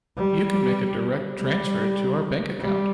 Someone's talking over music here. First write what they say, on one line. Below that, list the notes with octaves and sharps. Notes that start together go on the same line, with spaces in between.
You can make a direct transfer to our bank account.
G3
G3
G3